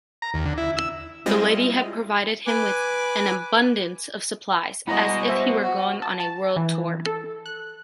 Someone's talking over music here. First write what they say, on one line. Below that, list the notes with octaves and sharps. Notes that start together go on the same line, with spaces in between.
The lady had provided him with an abundance of supplies, as if he were going on a world tour.
A#5
D#2
D3
E4
E6
G3 G#3 C4 E4 F4 D#5
B4 G#5 D6
G3 G#3 B3 E4 F#4 D#5 A#5
C5 E5 C#6
F#4
A5
A5
E3
A4
F#6